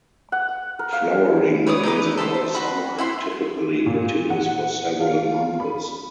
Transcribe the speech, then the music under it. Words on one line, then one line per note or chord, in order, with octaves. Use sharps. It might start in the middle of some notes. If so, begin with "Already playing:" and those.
Flowering begins in early summer and typically continues for several months.
F#5
A#4
F5
B4 C#5 D5 D#6
D#4 E4 B4 D6
A4 E5 A5 C6
C5
F#4 B5
E4 F#5 C6
A#2
F#5
F4
B5